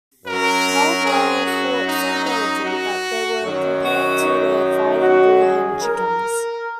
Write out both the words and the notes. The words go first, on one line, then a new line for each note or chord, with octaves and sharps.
Caldwell fought so bravely that they were compared to their fighting blue hen chickens.
F#2 F#3 A#4
G#4
F#4
D#4
D#4
F#4
F#2 D#3 F#3
F#4
D#4
F#4
G#4
A#4